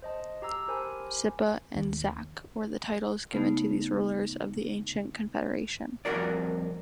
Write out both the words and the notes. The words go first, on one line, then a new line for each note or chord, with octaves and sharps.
"Zipa" and "zaque" were the titles given to these rulers of the ancient confederation.
C5 D#5 A5
G4 A#5 E6
G4 A#4 C5 G#5 A5 B5
D#2
C#3 A3 B3 D#4
C2 F2 F#4 A#4 D5